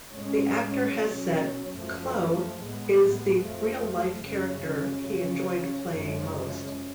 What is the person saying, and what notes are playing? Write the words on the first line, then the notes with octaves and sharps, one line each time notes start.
The actor has said Clough is the real-life character he enjoyed playing most.
A2 G#3 C#4
B2 F#3 C#4
F#2 F3 A3
A2 G#3 B3
F2 F3 A3
F#2 C#3 G#3 C#4
C#3 F#3 C#4
F#2 C#3 F3 G#3 C#4